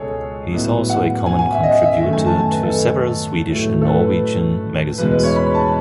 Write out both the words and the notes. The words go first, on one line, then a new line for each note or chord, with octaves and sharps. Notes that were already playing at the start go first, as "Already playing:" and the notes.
He is also a common contributor to several Swedish and Norwegian magazines.
Already playing: C#2 B2 G#3 G#4 A4 C#5
A2 F#3 B3
F#5
G#5
G#5
E5
D#5
E5
F#2 D#3 A3
G#5
A5
G#5
B4
A4
A2 F#3 A3
A4
B4
E2 B2 G#3 B4
B4
C#5
B5
A5